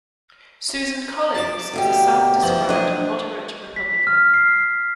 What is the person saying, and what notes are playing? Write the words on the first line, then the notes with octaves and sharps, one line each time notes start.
Susan Collins is a self-described moderate Republican.
A5 D6
D2 B2 G4
E2 F3 F#3
D4 D#5
B6
F6
C7